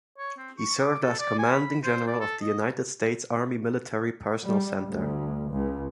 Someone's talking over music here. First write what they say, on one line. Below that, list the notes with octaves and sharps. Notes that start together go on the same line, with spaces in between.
He served as Commanding General of the United States Army Military Personnel Center.
C#5
C4
C#6
D6
A4
D5
G#5
B5
C5
D5
A4
D#5
G3
D2
C#2